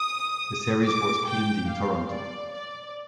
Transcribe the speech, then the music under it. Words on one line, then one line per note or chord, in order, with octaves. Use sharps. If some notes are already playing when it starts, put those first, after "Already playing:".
The series was filmed in Toronto.
Already playing: D#6
D6
G5
F5
D5
D5